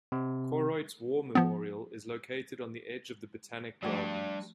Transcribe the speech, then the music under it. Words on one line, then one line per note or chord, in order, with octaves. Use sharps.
Koroit's War Memorial is located on the edge of the Botanic Gardens.
C3
F3 B3
F3 G3 A3 D4 F#4